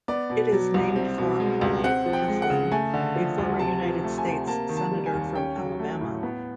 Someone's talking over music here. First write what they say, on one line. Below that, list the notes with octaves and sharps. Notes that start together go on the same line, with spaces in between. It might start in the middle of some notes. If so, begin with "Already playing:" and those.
It is named for Howell Heflin, a former United States Senator from Alabama.
B3 D5
B2
F#3
C2
C4
B2
G#3
C#2
C4 F#5
F3
G5
G#3
F#5
C#3
A3 G#5
D3
F3
D2
C3 A5
F3
A3
G#5
C3
A#3 A5
D#3
A5
G3
G#5
D#2
C#4 G5
F#3
A3
A2
B3